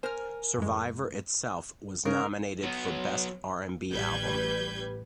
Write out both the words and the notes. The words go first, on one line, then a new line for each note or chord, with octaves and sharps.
"Survivor" itself was nominated for Best R and B Album.
A#4 C5 G#5 F6
F#2 E3 G#3
C#3 A#4
F#3 B3
A1 G3 B4 G6 G#6